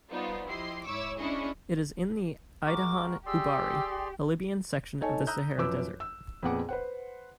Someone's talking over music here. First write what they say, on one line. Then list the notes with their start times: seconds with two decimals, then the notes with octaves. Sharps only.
It is in the Idehan Ubari, a Libyan section of the Sahara Desert.
0.10 G3 B3 D#4 F4 C5 D5
0.46 F3 E4 G4 D#5 C6 C7
0.85 G#2 E4 C#5 C#6 D6 E6
1.18 C#4 D4 E4 G#4 D#5 C#6
2.66 G#3 F#4 A#4 D6
3.26 G4 G#4 D5 C6 E6
5.01 D#4 A4 C#5 G#5 A5
5.27 A#5 D#6 E6 F#6 G6
5.58 F#2 F3 B4 D6 E6
6.00 E6
6.43 F2 A#2 B3 G#4 F#5 D6
6.69 B4 C5 F#5